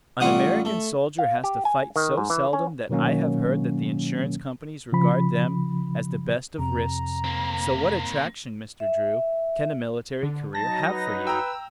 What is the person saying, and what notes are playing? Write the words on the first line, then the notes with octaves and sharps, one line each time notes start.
"An American soldier has to fight so seldom that I have heard that the insurance companies regard them as the best of risks, so what attraction, Mr. Dru, can a military career have for you?"
A1 G3 F4 F#5 D#6
A3
F5
G4
G#5
D#3
G#2
E3
C#4
B2 D#3 F#3 A#3 C#4
C#3 F3 B5
F2 C3 A#5
A#3 C4
E5
D3
F#3 D#4 A5 A#6
B4
G5 A#5 E6